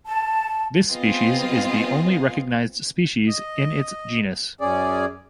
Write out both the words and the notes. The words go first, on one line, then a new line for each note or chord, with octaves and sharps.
This species is the only recognized species in its genus.
A5
B3 C4 F4 G#4 D#5 F5
D#5
F#2 C#4 G#4 D5